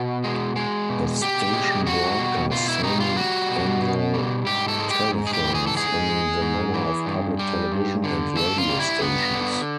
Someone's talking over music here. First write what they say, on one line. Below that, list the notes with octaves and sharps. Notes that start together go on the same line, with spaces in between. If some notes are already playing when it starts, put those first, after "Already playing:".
The station broadcast semi-annual telethons, in the manner of public television and radio stations.
Already playing: B2 F#4
G#3
G#3
B2
B2 G4
G#3
G3 F#4
B2
B2 F4
E4
G3 D#4
F4
G3 F#4
B2
B2
G3
G#2 G4
A4
G#3
G4
G#2
G#4
G4
E3
G#4
A4
G#2 G#4
G#3
G#2
E3
G2
G3
G2
D3
G2 A4
F4
G3
E4
G2 B3
D3